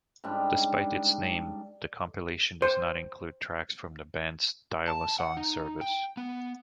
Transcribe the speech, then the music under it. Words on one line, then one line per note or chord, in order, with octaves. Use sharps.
Despite its name, the compilation does not include tracks from the band's "Dial-A-Song" service.
G#2 C#3 G3 D4
C5
A5
F#5
D#4
G5
B3